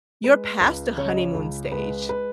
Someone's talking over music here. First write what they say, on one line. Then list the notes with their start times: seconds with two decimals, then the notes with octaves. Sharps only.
you're past the honeymoon stage.
0.24 G#3 B4
0.61 C#2
0.97 C#3 C#5
1.08 D#5
1.18 C#5
1.34 C#2
1.71 G#3 B4
2.09 B4